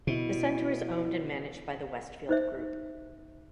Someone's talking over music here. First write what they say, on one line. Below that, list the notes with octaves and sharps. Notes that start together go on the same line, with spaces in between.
The centre is owned and managed by The Westfield Group.
B2 E4
D#4 C5 E5